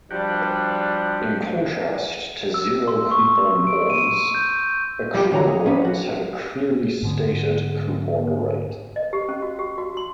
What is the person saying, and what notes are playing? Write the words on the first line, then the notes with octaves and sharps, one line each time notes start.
In contrast to zero-coupon bonds, accrual bonds have a clearly stated coupon rate.
F3 G3 D4 F#4 G4
E6
C6
C#6
D7
D#7
G6
G3 G4
D3 E3 C#5 G5 A#5
G#4
G#3 B3 C#4 D4
F4 F#4
G#2 D3 B3
D#5
G4
C#4
F#4
G4
F#4
C6